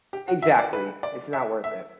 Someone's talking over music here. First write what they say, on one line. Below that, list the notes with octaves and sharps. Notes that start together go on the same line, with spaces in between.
Exactly, it's not worth it.
G4
F#4
E5
D5
B4
D5
E5
E5